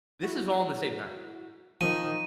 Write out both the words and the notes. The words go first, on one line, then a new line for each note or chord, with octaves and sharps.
This is all in the same night
E4 F#4
D#3 F3 D#7